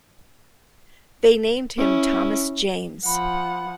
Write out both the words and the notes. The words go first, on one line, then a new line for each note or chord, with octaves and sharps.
They named him Thomas James.
C#4 E4
F3 F#5 B5